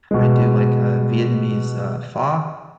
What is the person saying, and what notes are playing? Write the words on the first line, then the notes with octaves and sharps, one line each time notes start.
I do, like, uh, Vietnamese, uh, pho,
B2 G#3